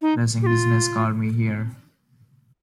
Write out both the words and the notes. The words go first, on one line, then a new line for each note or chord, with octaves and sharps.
Pressing business called me here.
D#4
G4
F4